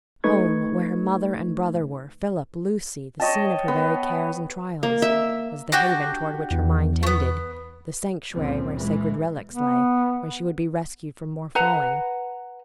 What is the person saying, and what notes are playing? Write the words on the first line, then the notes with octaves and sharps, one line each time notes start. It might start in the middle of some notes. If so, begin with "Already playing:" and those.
Home--where her mother and brother were, Philip, Lucy, the scene of her very cares and trials--was the haven toward which her mind tended; the sanctuary where sacred relics lay, where she would be rescued from more falling.
A3 D#4 B4 C#6 G#6
C#5 D#5 G5 A5
B3
A#3
E5
D4 F#4 G4
E2
A3 B3
C#2 F#2 A#2 F3 C4
A#2 E3 G#3
B3
B4 F#5 A#5